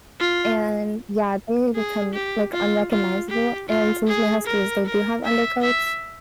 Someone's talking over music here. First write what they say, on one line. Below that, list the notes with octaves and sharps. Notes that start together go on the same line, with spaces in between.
and yeah, they become, like, unrecognizable, and since my huskies, they do have undercoats,
F4
G#4
G4
F4
F4
G4
F4
G#4
A#4
A#4
E5
E5